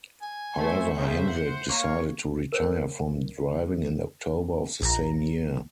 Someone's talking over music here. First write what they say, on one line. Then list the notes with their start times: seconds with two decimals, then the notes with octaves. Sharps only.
However, Hendrick decided to retire from driving in October of the same year.
0.22 G#5
0.58 A3 C5 E5 C#6
0.97 C#3 A#3 C5 E5
1.28 F#5 C6
1.69 A#3 C#5
2.52 A#4 C5 C#5
4.82 A#1 A#5